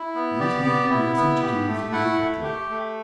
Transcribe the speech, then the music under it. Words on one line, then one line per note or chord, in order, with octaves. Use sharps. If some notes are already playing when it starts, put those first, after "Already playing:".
These need be nothing to do with you directly.
Already playing: E4
B3
G4 D5
B3
E4
B3
G4
A3
E4 F#5
A3
G4
A3